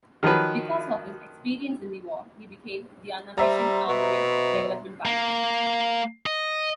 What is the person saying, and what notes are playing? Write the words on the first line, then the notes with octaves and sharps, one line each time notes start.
Because of his experience in the war he became the unofficial armament development pilot.
D#3 F3 F#3 B4
G3 C5 E5 A#5
B2
A#3
D#5